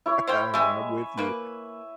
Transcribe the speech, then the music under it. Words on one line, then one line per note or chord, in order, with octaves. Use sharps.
Alright. I'm with you.
E4 C#5
C5 F5 G5
G3 G#3 E5 G#5
A#3 B4